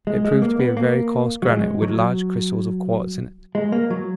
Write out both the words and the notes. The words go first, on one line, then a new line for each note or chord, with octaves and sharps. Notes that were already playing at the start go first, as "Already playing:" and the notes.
It proved to be a very coarse granite with large crystals of quartz in it.
G#3
G#3
A#3
B3
A#3
F#3
G#3
F#3
G#3
A#3
F#3